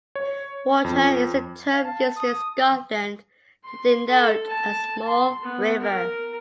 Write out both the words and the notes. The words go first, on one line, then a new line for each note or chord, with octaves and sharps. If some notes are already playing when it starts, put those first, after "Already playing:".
'Water' is a term used in Scotland to denote a small river.
C#5
F2
F5
A5
D#6
C6
A4
A5
C6
B3
A#4